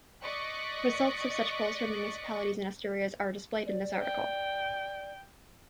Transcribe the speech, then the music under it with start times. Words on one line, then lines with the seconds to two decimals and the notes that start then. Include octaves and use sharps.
Results of such polls for municipalities in Asturias are displayed in this article.
0.23 D5 D#5 C#6 D6 F#6 B6
3.66 D5
4.03 G5